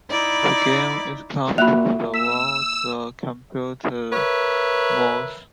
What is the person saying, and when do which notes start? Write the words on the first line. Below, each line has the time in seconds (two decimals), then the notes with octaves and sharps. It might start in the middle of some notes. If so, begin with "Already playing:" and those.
The game is controlled via the computer's mouse.
0.10 D#4 E4 D5 B5
1.58 A#3 F#4 E5 B5 F#6
2.14 E6 B6
4.12 A#4 B4 C#5 E5